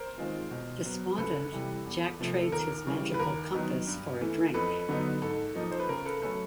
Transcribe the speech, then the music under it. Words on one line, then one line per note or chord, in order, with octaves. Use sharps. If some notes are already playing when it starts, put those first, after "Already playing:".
Despondent, Jack trades his magical compass for a drink.
Already playing: A#4 C5
D#3 G#3 C4 F4
B2
F#3 B3
C#2 A4 B4
C3 E3 G3
E2
C3 F3 A3
A4
D#2 A#4
C#3 E3 G3
B4
D#2 A#4
D#3 F#3 B3 D#4
G2
E3 A3
F2 A4 B4
D3 F#3 B3 D#4
G#2 A4
F3 A#3 D#4
C5
B4
C#3 A#4
A4 B4
F#3 A3 C#4 A4 B4